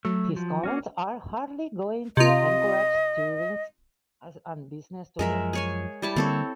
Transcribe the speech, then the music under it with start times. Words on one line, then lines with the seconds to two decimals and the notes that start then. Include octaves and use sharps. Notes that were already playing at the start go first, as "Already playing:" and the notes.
His comments are hardly going to encourage tourism and business to Wales.
0.05 F#3 A3
0.36 F3
0.64 A#3 C#4 F#4
2.17 C3 F4 D#5
5.19 F#2 F3 G#3 A#4 E5
5.53 G#4 C#5 G#5
6.02 G3 E4 A5
6.16 D3 G3 A#3 C4 A4 C#5